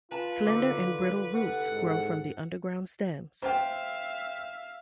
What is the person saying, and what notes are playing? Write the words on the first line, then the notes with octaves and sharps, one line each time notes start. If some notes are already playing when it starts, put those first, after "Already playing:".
Slender and brittle roots grow from the underground stems.
F4 B4 A5
D3 D#4
C2 A4 F#5
G#2
C5 E5 F5 G5